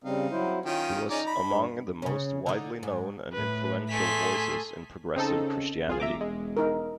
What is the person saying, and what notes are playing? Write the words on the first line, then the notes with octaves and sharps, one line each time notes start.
He was among the most widely known and influential voices in progressive Christianity.
C#3 G3 C4 D#4 F5
F#3 E4 C5
D#3 C#4 F4 G5
C#4 D#4 G#4 D5 A#5
B5
G2
C#3 C#4
D3 D#4
G#2
A2 B4
A3 G#4 G#5 C6 B6
C#3 C4 D#4 A4
C2 F4 G#4
E1 E5 A#5 D6
G#3
D#4 A#4